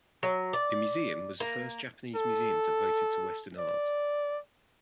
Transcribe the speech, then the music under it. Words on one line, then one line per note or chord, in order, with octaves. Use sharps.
The museum was the first Japanese museum devoted to Western art.
F#3
D5
A#3
A4
D5